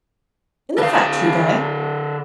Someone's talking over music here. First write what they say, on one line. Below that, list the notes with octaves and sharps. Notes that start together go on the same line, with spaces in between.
In the factory there?'
D3 F5